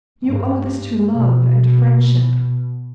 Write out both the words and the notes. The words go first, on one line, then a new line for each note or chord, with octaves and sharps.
You owe this to love and friendship.
G2
B2